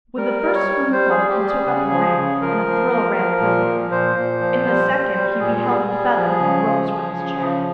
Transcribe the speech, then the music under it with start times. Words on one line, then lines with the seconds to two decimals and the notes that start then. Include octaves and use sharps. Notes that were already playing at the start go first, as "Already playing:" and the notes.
With the first spoonful he took up the ring, and a thrill ran through him; in the second he beheld the feather and rose from his chair.
0.17 G3 A#4
0.42 G3
0.54 C#5
0.67 G3
0.92 G3 C5
1.10 G#4
1.17 G3
1.29 G4
1.42 G3
1.48 G#4
1.67 C#3 G#4
1.92 F3
2.17 C#3
2.41 F3 A#4
2.67 F3
2.91 F3
3.16 F3
3.41 A#2
3.66 F3
3.91 A#2 C5
4.17 A#2
4.41 F3
4.66 G3
4.91 G3
5.16 G3
5.40 A#2 G#4
5.66 G3
5.90 G3
6.16 F3
6.40 C#3
6.65 F3
6.90 F3
7.15 C#3
7.40 F3